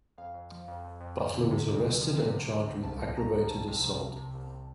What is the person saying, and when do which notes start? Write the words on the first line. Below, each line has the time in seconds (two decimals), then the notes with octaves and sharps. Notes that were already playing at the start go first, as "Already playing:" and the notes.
Butler was arrested and charged with aggravated assault.
0.18 F2 F5
0.34 F2
0.52 F3
0.68 F2
0.84 F2
1.01 F2
1.18 F3
1.34 D3
1.51 C3
1.68 D2
1.85 D2
2.01 F3
2.17 C3
2.34 D2
2.50 C3
2.67 D2
2.83 C2 A5
3.00 F3
3.17 C2 A#5
3.34 F3
3.50 C2 A5
3.68 C3
3.83 F3
4.00 C2
4.16 C3
4.34 C2
4.50 C3